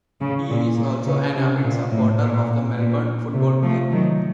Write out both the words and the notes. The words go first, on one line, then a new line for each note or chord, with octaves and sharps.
He is also an avid supporter of the Melbourne Football Club.
C#3
A#2
A#2
C#3
C3
A#2
A2
A#2
A#2
C3
F3 A3
D#3 F#3